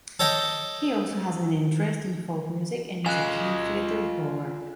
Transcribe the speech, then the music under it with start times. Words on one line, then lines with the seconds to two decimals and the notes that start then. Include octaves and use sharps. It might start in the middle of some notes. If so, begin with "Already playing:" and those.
He also has an interest in folk music and is a keen theatre goer.
0.20 A4 C#5 D#5 G5
3.06 F4 D#5 F5 G#5 F#6